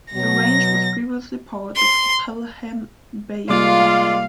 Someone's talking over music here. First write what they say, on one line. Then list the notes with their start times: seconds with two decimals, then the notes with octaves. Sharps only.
The range was previously part of Pelham Bay Park.
0.14 B2 F#3 A#6
1.76 C6
3.49 C3 G3 G#3 A#3 F4 D5 F5 C6